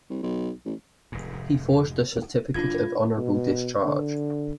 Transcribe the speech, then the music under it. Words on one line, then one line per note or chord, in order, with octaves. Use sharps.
He forged a certificate of honorable discharge.
C2
B1
A1
F1 G#2
F#1 D4 F4 G#6
B2
D3